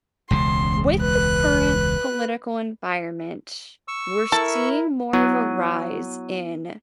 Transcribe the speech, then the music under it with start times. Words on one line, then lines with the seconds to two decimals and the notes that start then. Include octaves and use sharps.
With the current political environment, we're seeing more of a rise in
0.31 E1 C#2 C#3 C6
1.00 B4 F#6
3.88 C#6 E6
4.32 E4 A4 A#4
5.13 F#3 B3 E4 D#7